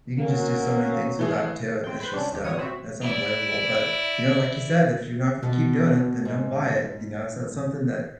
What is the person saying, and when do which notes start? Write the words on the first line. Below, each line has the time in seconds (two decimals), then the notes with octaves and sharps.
You can just do so many things with that too. It's just, uh, that's unbelievable, but, you know, like you said, "If you're not gonna keep doing it, then don't buy it," you know? So it's something that
0.19 F#3 A#3 C#4
1.19 E3 A3 G#4
1.84 C4 G5
2.00 B4 C5 B5
2.13 C3 G3 C#4 D4
2.32 D#2 D#3 G4
2.44 F3 G3 B3 C#5 D#6
2.58 C4 F#4 E5
3.02 E4 D5
5.43 B2
6.25 G#2